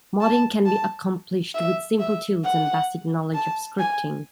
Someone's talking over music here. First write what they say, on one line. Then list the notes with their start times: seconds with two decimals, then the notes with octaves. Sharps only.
Modding can be accomplished with simple tools and basic knowledge of scripting.
0.21 A5
0.66 A5
1.55 E5
2.00 E5
2.45 F#5
3.35 A5
3.79 G#5